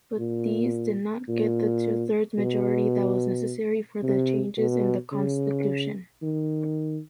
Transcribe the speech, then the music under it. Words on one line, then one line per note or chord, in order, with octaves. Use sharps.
But these did not get the two-thirds majority that was necessary for the changes in the constitution.
A#2
A#2
B2
C3
B2
C#3
D#3